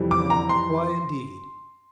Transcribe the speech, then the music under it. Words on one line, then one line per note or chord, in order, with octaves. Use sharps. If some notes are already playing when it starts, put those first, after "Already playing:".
Ah! why indeed?
Already playing: F2 C3 E3 G3
D6
A#5
C6